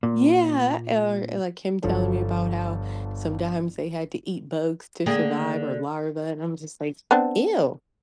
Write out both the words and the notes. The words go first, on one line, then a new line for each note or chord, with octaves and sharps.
Yeah, or or, like, him telling me about how sometimes they had to eat bugs to survive, or larvae, and I'm just like, "Ew!"
A#2
G1 F3 A4 C#5
D3 A#3 G#4
B3 C4 D4